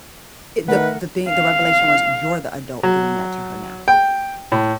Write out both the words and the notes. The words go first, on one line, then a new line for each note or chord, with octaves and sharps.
Eh, the the thing the revelation was, "You're the adult doing that to her now.
D#3 A3 A#4 B4 F#5
F5
F#3
G5
A2